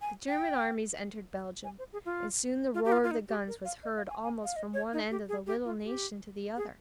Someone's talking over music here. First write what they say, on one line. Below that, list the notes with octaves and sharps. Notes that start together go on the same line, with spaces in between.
The German armies entered Belgium, and soon the roar of the guns was heard almost from one end of the little nation to the other.
G#5
G5
G#5
C5
G#4
F4
F4
G4
F4
F4
D#4
G4
A#4
F5
D#5
F5
G#5
G#5
F5
D#5
C#5
D#4
G4
G#4
G4
F4
G4
G#4